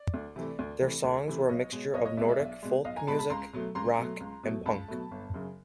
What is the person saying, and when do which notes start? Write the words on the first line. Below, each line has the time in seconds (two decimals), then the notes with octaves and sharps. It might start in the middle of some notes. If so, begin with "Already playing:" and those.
Their songs were a mixture of Nordic folk music, rock and punk.
Already playing: D5
0.14 D2
0.36 C3 E3 A3
0.59 D2
0.82 C3 E3 A3
1.04 D2
1.27 C3 E3 A3
1.49 B1 C#5 D#5
1.72 B2 G#3
1.94 B1 C#5 D#5
2.05 C#5 D#5
2.17 B2 D5 E5
2.21 G#3
2.29 D5 E5
2.39 B1
2.63 B2 G#3
2.85 B1 D#5 F5
2.97 G#5 A#5
3.07 B2 G#3 A5 B5
3.19 A5 B5
3.30 C#2 A#5 C6
3.53 B2 F#3 A3
3.75 C#2 A#5 C6
3.98 B2 F#3 A3
4.20 C#2
4.43 B2 F#3 A3
4.66 C#2 A5 B5
4.88 B2 F#3 A3
5.11 G1
5.34 F#2 C#3